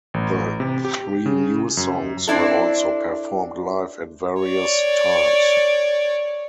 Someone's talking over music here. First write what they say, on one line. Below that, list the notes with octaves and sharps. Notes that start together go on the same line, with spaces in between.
The three new songs were also performed live at various times.
A1
C3
G4
C#3
F#2
C4 D4 E4 A4
C#5 D5